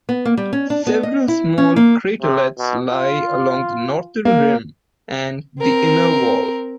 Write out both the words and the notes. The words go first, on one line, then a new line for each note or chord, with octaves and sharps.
Several small craterlets lie along the northern rim and the inner wall.
B3
A#3
G3
C#4
D4
B3
D#5
E4
C#4
A#3
C3
B2
F4
A#3
C4 A#4